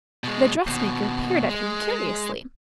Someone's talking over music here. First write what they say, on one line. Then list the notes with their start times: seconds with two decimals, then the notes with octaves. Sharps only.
The dressmaker peered at him curiously.
0.24 B2 G#3
0.67 D#2 B2
1.49 G#3